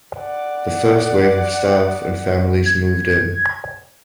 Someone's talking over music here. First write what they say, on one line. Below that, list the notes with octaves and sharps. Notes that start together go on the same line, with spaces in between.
The first wave of staff and families moved in.
D5 F#5
G#6